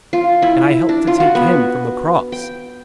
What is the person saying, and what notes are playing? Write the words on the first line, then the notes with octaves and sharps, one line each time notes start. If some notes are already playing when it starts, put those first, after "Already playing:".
And I helped to take Him from the cross.
F4
E4
D4
F4
F#4
B3
G5